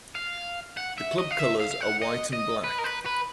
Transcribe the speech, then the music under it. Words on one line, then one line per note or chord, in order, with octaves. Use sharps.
The club colours are white and black.
F5
F#5
E5
D#5
F5
E5
F5
F5
F#5
D#5
D#5
B4
A#4
B4
B4